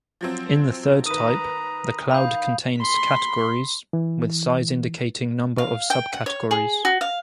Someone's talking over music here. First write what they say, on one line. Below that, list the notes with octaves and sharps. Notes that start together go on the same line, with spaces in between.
In the third type, the cloud contains categories, with size indicating number of subcategories.
F3 F#3 C4
D#3 B4 A#5 D#6 D#7
F5 B5 G6
B5 C6
E3
F5
G5
F#5
C#5
G#4
F#4
F5